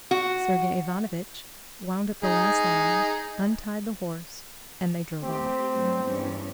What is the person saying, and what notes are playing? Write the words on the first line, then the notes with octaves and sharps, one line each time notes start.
Sergey Ivanovitch wound up the last line, untied the horse, and they drove off.
F#4
D#4 G#4
A3 C4 G4
G2 F#3 A3
E2 G2 C#4